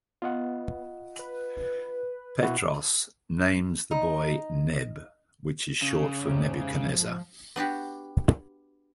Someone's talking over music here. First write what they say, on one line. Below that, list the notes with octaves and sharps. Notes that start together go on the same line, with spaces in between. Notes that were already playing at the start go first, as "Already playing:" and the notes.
Petros names the boy Neb, which is short for Nebuchadnezzar.
B3 F4 D#5 F#5
B4
B2 E4 F#4
D#4
C#3
F2 G#2 C3
F3
B3 D4 F#4 G4